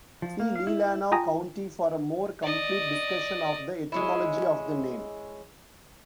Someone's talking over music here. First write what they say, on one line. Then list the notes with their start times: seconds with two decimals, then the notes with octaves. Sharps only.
See Leelanau County for a more complete discussion of the etymology of the name.
0.22 F3
0.40 A#3
0.56 F5
0.67 E4
0.83 E4
1.12 F4 G5 G#5 A#5 D#6 A#6
2.42 D5 D#5
3.92 G#3 C#4 E4